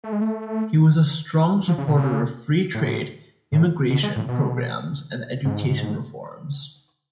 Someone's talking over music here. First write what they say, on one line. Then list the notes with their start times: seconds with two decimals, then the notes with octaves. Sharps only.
He was a strong supporter of free trade, immigration programmes and education reforms.
0.04 A3
0.12 G#3
0.21 A3
1.68 F3
1.78 C#3
1.87 B2
1.97 C#3
2.75 A2
3.52 A2
3.90 B2
4.03 G#3
4.16 A2
4.29 B2
5.45 G#2